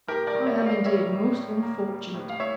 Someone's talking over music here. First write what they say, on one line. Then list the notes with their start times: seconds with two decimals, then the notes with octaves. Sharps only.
I am indeed most unfortunate.'
0.08 A2 G4 A#4
0.27 A#4 D5
0.34 A2
0.46 C#5 E5
0.60 A#3
0.66 D5 F5
0.85 G3 C#5 E5
1.12 A2
1.37 A2
1.63 A#3
1.89 G3
2.14 A2
2.29 F5
2.40 A2 C#5 E5